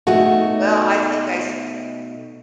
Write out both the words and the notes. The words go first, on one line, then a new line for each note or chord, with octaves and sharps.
Well, I think I s
B2 A3 D#4 F#4